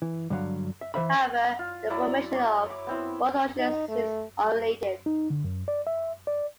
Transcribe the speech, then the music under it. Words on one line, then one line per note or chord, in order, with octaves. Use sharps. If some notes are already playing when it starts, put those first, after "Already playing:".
However, the formation of both oceans seems unrelated.
E3
G2 D3 F#3 F5
E5
E3 C4 C5 E5 F5 B5
F4
F#3 E4 D5
C#5 D6
D6
B3 C4 E4
D#4
A3
D#4
D3
F#2
D5
E5
D5